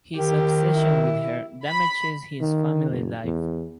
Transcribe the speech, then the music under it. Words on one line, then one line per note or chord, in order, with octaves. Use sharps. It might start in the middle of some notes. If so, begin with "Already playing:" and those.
His obsession with her damages his family life.
D#3 G4
E4
B5
D#3
F#1
E2